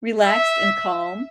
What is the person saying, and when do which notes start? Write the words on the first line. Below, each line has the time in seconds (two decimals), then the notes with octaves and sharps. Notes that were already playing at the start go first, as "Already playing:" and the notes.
relaxed and calm.
0.24 E5